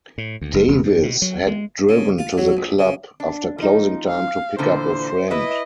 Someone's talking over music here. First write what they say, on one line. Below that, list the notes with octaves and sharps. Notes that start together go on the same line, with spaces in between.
Davis had driven to the club after closing time to pick up a friend.
A2
D2
F#1
E1
F#2
B2
F#3
G#3
C#3
F4
F#3
A#1
C#3
D4
F3 D#4
F5
A#2 D3 E3 C5
E4 B4 D#5 E5